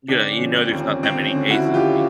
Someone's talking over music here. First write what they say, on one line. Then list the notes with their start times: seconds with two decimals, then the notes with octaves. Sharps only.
Yeah, you know, there's not that many days in a week,
0.08 D3 C4 D4
0.33 C#4
0.40 F3
0.57 C4
0.72 D#2
0.80 C#4
1.03 D#2 C4
1.27 C#4
1.35 D3
1.50 E4 F#4
1.66 F3
1.74 F4 G4